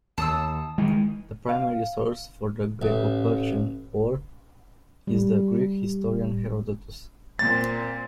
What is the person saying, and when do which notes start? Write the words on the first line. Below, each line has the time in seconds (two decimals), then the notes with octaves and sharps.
The primary source for the Greco-Persian Wars is the Greek historian Herodotus.
0.18 D#2 A5 D#6 E6
0.78 D#3 E3 G#3
1.49 F5
2.82 A1
5.07 G3
7.39 A#2 C4 A6